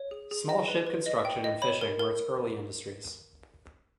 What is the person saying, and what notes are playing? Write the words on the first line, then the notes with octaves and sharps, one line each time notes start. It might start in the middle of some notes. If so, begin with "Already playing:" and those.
Small ship construction and fishing were its early industries.
Already playing: C#5
G#4
G#4
D#5 A#6
B4
B4
D#5
G5
D#5
C#5 B5
A#4
A#4